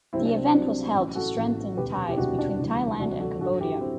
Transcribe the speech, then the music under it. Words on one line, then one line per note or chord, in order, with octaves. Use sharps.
The event was held to strengthen ties between Thailand and Cambodia.
C2 C3 F#3 C4 E4
D4
C4
C2 C3 F#3 D4
A1 A2 F#3
F#4 A4
A1 A2 F#3
E1 D2 C3 G4 B4
E4 G4
E1 D2 C3 D4 F#4
D4
D2 C3 E3 G3
D2 C3 E3 G3 D4 F#4
F#4 A4
A1 G2 D3 F#3 F#4 A4
E4 G4
C4 E4